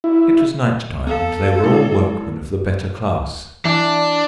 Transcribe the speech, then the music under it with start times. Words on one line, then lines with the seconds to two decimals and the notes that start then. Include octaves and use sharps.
It was night-time, and they were all workmen of the better class.
0.04 E4
1.07 B3 A4 F5
1.64 G#3 D#4 E4
3.65 E3 D4